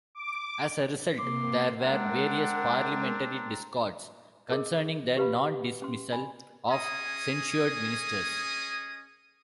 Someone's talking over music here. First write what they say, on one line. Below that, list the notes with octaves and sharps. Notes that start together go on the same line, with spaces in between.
As a result there were various parliamentary discords concerning the non-dismissal of censured ministers.
D6
C3 A#3 C6 D6
G#3 C4 D4 A#4 F#5 A#5
G#4 A#4 D#5
G4 B4 F5 B5
C#4 C6
G#5 B5
C#4 G#4 D#5 D#6